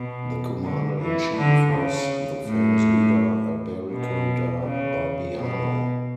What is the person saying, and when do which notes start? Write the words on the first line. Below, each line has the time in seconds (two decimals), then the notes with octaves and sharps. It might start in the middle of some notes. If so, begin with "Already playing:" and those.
The commander in chief was the famous leader Alberico da Barbiano.
Already playing: B2
0.64 D3
1.01 E3
1.37 D3
1.73 C#3
2.46 A2
3.92 B2
4.64 C#3
5.38 B2